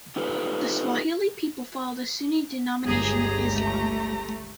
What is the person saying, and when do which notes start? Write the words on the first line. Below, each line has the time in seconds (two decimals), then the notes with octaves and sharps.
The Swahili people follow the Sunni denomination of Islam.
0.16 D#4 F4 G4 A4 B4
2.87 G1 C#2 G4 G#4 A#5
3.50 A3